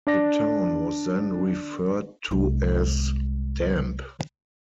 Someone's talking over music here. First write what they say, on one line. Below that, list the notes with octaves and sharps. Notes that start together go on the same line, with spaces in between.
The town was then referred to as "damp".
D4 D5 A#6
C2 G#3